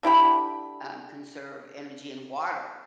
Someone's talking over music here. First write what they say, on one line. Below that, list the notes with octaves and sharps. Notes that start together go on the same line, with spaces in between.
um, conserve energy and water,
D3 E4 G4 B5